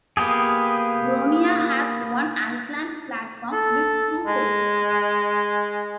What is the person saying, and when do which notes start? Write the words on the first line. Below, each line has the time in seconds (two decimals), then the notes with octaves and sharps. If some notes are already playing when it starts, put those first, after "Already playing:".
Boronia has one island platform with two faces.
0.17 A#3 B3 G4 G#4
3.52 A4
4.27 G#3